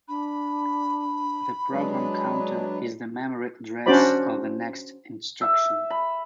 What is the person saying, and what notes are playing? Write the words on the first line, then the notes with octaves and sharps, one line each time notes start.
The program counter is the memory address of the next instruction.
D4 B5
F#3 G#3 D4 B4
C#4 D4 F#4 C5 D5 B5
E5
B5